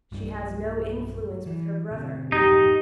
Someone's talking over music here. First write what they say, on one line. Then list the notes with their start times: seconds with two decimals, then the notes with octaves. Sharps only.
"She has no influence with her brother."
0.12 B1 G2 G3
1.46 E3
1.91 B2 D3 C4
2.32 E1 F2 G#2 D#4 G4